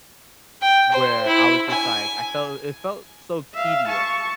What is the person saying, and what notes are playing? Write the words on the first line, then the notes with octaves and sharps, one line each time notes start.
where I was just like I felt it felt so tedious
G5
C5
E4
G#5
E5 F5
A5 C#6